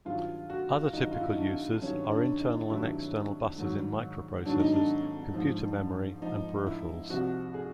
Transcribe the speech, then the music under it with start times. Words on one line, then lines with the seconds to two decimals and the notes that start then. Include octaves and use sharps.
Other typical uses are internal and external buses in microprocessors, computer memory, and peripherals.
0.05 G2 D#3 F#3 F4
0.50 F#4
0.93 G2 D#3 F#3 D#4
1.11 F4
1.20 E4
1.29 D#4
1.37 D4
1.81 G2 D#3 F#3 C#4
2.12 D4
2.40 D#4
2.69 G2 D#3 F#3 E4
3.57 G#2 D#3 F#3
4.46 G#2 D#3 F#3 D4
4.60 D#4
4.72 D4
5.34 G#2 F3
6.22 G#2 F3 D#4
6.67 E4
7.10 C2 C3 F3 F#4
7.54 G#4